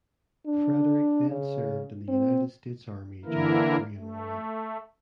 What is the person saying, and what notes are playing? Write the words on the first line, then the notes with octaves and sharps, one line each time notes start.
Frederick then served in the United States Army during the Korean War.
D4
C#3
C4
D3 E3 A#3 E4 A#4
A3